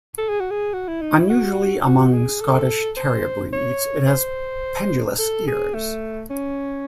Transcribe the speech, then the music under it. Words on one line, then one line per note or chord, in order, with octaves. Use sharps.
Unusually among Scottish terrier breeds, it has pendulous ears.
A4
G#4
F#4
G#4
F#4
E4
D#4
E4
F#4
F#4
G#4
A4
C5
C#5
C5
A4
G#4
A3
C#4